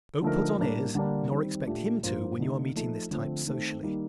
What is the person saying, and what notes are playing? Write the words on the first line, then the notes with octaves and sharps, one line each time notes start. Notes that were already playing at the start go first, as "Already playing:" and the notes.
Don't put on airs nor expect him to when you are meeting this type socially.
D3 F3 A3 D#4 A#4
A2 G3 A#3 D4
D3 G3 A#3 D4
D#3 G3 C4
A#2 A3 D4 G4
G2 F3 A#3 F4 C5
D3 A3 D#4
F3 A3 D#4 A4
D3 F3 A3 C4
D#3 A3 C4
D#3 G3 A#3 D#4